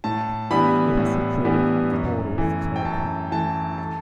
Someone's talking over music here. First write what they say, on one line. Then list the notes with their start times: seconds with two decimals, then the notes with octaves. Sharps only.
It is situated at the border with Turkey.
0.04 A2 A5
0.51 E3 G3 B3 D4 B5
0.97 A2
1.45 E3 G3 B3 D4
1.91 F#2
2.38 E3 A3
2.76 G5
2.85 F#2 A5
3.32 E3 A3 A5
3.78 A5